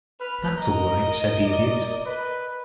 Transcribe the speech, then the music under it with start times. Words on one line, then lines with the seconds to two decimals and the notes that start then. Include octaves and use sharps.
"That's all right," said the Idiot.
0.21 B4 F6
0.58 A#4 D#5 A#5
1.44 D5
2.06 B4